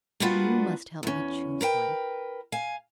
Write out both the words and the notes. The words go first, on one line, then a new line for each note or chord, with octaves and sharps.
You must help me choose one.
G3 A#3 B3 D4 F4 F#4
E2 C#4
A#4 B4 G5
F5 G#5